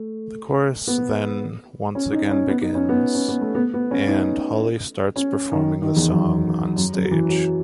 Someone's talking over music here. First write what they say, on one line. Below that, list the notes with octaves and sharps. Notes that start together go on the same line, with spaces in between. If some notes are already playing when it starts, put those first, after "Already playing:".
The chorus then once again begins and Holly starts performing the song on stage.
Already playing: A3
B3
C#4
D#4
C#4
B3
D#4
C#4
B3
C#4
B3
A3
B3
B3
C#4
D#4
C#4
D#3
D#3
E2
F#2
F#2
F#2
F#3
E3
F#3